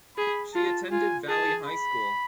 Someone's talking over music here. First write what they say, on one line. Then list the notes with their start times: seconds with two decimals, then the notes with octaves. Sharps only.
She attended Valley High School.
0.17 G#4 B5
0.54 F4 A5
0.92 F4 G#5
1.28 G#4 A5
1.66 B5